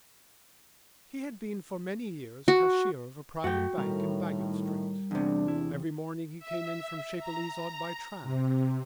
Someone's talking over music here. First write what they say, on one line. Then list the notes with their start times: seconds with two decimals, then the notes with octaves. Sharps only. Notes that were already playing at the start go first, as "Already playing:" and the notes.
He had been for many years cashier of a private bank in Baggot Street. Every morning he came in from Chapelizod by tram.
2.48 F#4
3.44 F#2 A3 F#4 G5
3.78 A2 D#3 G3 A#4
5.11 E2 C3 D4
5.48 E4
6.39 E5
7.19 A#5
8.23 C3